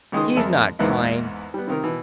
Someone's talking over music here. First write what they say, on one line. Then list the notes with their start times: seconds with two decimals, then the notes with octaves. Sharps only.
He's not kind.
0.12 C#2 D#3 G#3 D#4 C6 D#6
0.36 F2 G#3 A#4 E5 A5
0.79 E2 G#2 A#3 B3 D#4 E4
1.54 G3 B3
1.68 C3 D#3 A#4
1.84 B2 E3